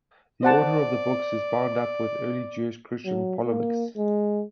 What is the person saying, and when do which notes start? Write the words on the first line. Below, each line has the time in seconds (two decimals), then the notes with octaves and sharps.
The order of the books is bound up with early Jewish-Christian polemics.
0.43 C5 D5 F#5 A5
3.05 F#3
3.44 A#3
3.97 G#3